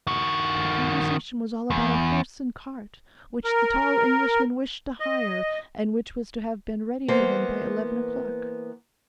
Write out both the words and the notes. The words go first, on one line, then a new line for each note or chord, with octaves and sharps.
"The conversation was all about a horse and cart, which the tall Englishman wished to hire, and which was to have been ready for him by eleven o'clock."
D#3 F#4
E2
A#4
D#5
E3 A#3 B3 C5